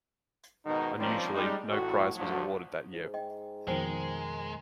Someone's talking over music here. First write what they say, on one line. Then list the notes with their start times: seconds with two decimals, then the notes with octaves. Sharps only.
Unusually, no prize was awarded that year.
0.66 G#2 B2 D#3 D#4
0.98 D#3 F3 G3 A#3 C4 C#4
1.33 G3 G#3 D#4
1.68 A1 A2 F#4
2.15 D2 F3 F#3
2.93 G#2
3.14 D#5 G5
3.67 F2 B2 D#3 G#3 A#4 C5 G5 G#5